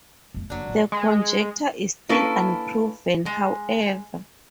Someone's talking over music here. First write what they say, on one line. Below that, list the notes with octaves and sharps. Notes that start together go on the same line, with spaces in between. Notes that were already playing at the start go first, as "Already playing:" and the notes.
The conjecture is still unproven, however.
F2 G#3
F#1 F#3 D4
A#2 F4
G#3
A#3 C#4 D4 E4 A4 B4
G#3